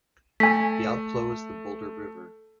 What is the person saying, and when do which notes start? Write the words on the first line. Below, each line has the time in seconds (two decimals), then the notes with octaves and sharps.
The outflow is the Boulder River.
0.40 A3 G#5 B6